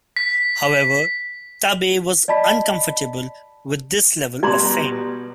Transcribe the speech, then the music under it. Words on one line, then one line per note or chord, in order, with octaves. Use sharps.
However, Tabei was uncomfortable with this level of fame.
B6
D5 D#5 A5 B5 B6
B2 G3 D5 A#5 C6